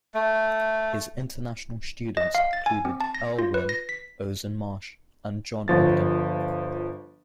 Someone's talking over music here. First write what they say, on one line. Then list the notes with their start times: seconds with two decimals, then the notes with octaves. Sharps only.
His international students included Earl Wild, Ozan Marsh, and John Ogdon.
0.14 A3
2.17 D#5
2.35 F5
2.53 A6
2.66 G#5
2.85 C4
3.01 A5
3.15 A#6
3.39 F4
3.54 B4
3.69 A#6
3.89 B6
5.68 G1 F3 A6